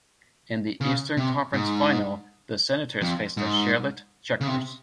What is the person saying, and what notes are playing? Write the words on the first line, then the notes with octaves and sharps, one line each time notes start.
In the Eastern Conference final, the Senators faced the Charlotte Checkers.
C#3
C3
G#2
F2
G#2
C#3
C3